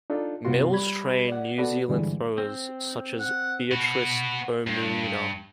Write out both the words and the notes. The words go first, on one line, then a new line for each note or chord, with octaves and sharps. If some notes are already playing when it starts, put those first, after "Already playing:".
Mills trained New Zealand throwers, such as Beatrice Faumuina.
D4 D#4 F4 A4
G2 C3 B3 F4 F#4 C6
G3 G4 B5 G#6
D5 F#5
B3 F#4 A4 B4 D5 F#5
G2 D3 E3 G3 G#3
C4
F#5
B3 F#4
G2